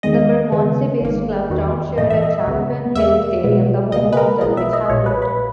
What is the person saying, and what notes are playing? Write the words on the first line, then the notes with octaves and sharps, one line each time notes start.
The Bermondsey-based club ground-shared at Champion Hill Stadium, the home of Dulwich Hamlet.
D#2 D#3 G#3 B3 D#5
D#2 C#3 G#3 B3
G#1 G#2 D#3 A#3
E2 D#3 F#3 B3
A#1 G#2 E3 A#3 D#5
E5
D#5
C#2 C#3 G#3 B3
E2 B2 A#3 E5
B1 B2 G#3 B3
C#2 B2 A#3 D#5
B4
A#4
B1 B2 G#3 B3 D#5
E5
D#5
A#1 A#2 A#3 C#5
B4
B4